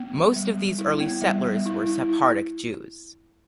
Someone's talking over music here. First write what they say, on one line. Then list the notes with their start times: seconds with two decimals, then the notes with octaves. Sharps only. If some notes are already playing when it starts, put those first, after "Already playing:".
Most of these early settlers were Sephardic Jews.
Already playing: B3
0.15 G3
0.36 G3
0.58 G3
0.78 E4
1.00 B3
1.22 G3
1.43 G3
1.66 E4
1.86 E4
2.09 E4